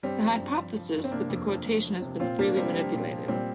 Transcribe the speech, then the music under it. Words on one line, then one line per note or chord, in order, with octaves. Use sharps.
The hypothesis that the quotation has been freely manipulated.
G2 G3 C4
F3
G2
F3
F3
G2
C4
C3 A#3 D4
F2
F3
F2
F3
C3
A#2 C4 F4
A#2 A#3 D4
F3 G3 C4
F3 G3
A#2
F3
A#2 G3 C4